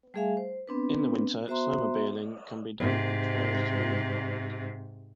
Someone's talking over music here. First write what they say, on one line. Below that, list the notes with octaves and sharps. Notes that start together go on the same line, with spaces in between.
In the winter, snowmobiling can be done on trails through the park.
G3 A3 G#4 E5 F5 G#5
C5
B3 C4 D4 B4
B3 F#4 C5 E5 A#5 C6
G#2 C3